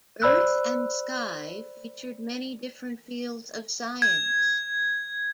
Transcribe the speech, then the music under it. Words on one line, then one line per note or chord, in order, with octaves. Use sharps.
"Earth and Sky" featured many different fields of science.
C5 D5 B5 E6 F#6
G#6